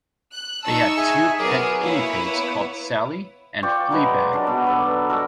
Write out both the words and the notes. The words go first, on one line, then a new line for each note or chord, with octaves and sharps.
They had two pet guinea pigs called Sally and Fleabag.
F#6
D#4 A5 C#6 E6
G#4 E5 G#5
F#3 B3 G#4 A#4 D6
A#3 E4 B4 C#5
B3
F4 D5 G5 C#6
F#3 G#3 B4
F#3 D4 A#4
B2 B3
A4 B4 D5
G#3 F#4 A4 A#4